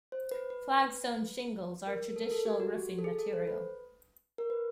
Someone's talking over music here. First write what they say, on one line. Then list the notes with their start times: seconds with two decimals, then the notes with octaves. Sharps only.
Flagstone shingles are a traditional roofing material.
0.12 C5
0.31 B4
0.50 B4
1.87 A#4
2.16 A4
2.24 A#4
2.31 A4
2.45 G4
2.60 F#4
2.75 G4
2.99 A4
3.04 G#4
3.19 A4
3.33 C5
3.47 B4
4.38 A#4
4.50 B4